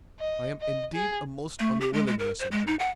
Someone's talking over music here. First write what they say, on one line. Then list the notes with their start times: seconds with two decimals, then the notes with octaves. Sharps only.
I am indeed a most unwilling messenger.
0.20 D#5
0.61 D#5
0.95 G#4
1.59 A3
1.81 G4
1.93 G#3
2.07 G#3
2.19 A#4
2.39 C5
2.52 G#3
2.67 D#4
2.79 F#5